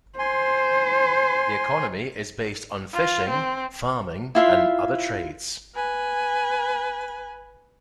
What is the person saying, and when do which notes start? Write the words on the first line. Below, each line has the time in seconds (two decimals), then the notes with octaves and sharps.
The economy is based on fishing, farming, and other trades.
0.19 C5 G#5 C6
2.93 F4
3.29 C4
4.35 E4 F4 E5 C6
5.75 B4 G#5